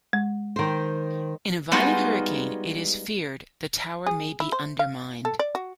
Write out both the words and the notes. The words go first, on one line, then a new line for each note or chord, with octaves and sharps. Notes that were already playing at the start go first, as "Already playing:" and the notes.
In a violent hurricane, it is feared, the tower may be undermined.
G#3
D#3 C5
G3 G#3 B3 D#4 F4 F#4
G#4
E4
C5
F5
A4
D5
F#4